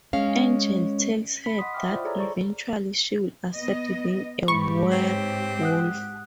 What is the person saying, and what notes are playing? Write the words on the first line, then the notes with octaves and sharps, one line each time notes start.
Angel tells her that eventually she will accept being a werewolf.
G#3 C#4 F5
B5 B6
D#5 F#5 C6 D#6
E5 G5 B5 D6 D#6 F6
E4 F4 C5 D5
G#4 A4 C#5 D5 A#5
D5 A#5 C#6
B3 D#5
G#2 G4 B5 C#6
C4 B4 C#5
F#5 D#6 F#6